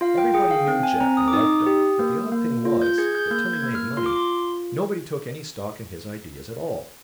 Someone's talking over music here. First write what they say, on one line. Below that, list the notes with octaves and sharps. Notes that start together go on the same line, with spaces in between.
Everybody knew Jeff and liked him, but the odd thing was that till he made money nobody took any stock in his ideas at all.
F4 F5
G5
G#4 G5
F5
C4 G5
G#5
C4 A#5
D#6
D6
D#4 D#6
G4
A#3
A#3
F4
G6
G#4 G#6
G6
A#3 G6
G#6
A#3
F6
F4 C6
D6
C6